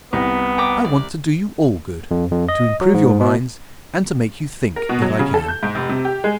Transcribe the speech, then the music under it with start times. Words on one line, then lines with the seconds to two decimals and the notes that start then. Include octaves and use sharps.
I want to do you all good--to improve your minds and to make you think, if I can.
0.13 C2 B3 D#4
0.58 G5 A#5 D6
0.85 D5
2.11 F2
2.31 F2
2.48 D#5
2.81 F#3
2.94 G#2
3.20 B2
4.76 A#4
4.89 B2
5.02 F#3
5.19 C#3
5.34 A4
5.48 G6
5.63 G#2
5.75 F1
5.89 C3
6.05 G4
6.24 G#3